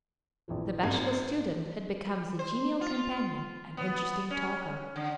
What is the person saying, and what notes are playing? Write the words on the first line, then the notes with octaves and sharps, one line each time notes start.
The bashful student had become the genial companion and interesting talker.
A#1 E3 F3
G#1 G#6
C5
F4
B3
C#4
D3